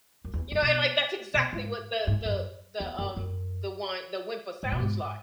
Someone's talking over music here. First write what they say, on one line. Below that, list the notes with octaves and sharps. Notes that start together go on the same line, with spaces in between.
You know? And, like, that's exactly what the the the, um, the whine the whimper sounds like.
F#2
E2
F#2
B2
B2
G#2
G#2
F#2
E2
F#2
F#2
G#2
B2
G#2